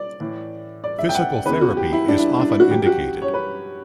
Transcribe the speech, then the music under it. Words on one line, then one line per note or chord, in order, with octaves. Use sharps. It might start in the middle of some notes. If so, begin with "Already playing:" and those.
Physical therapy is often indicated.
Already playing: D5
A2 E3
D5
E5
G5
F#5
E2 C#3 E3 B4
F#4
G4
E4
D4
E4
D4
E4
F#4
F#2 E3 G4
G4
F#4
C#5
B4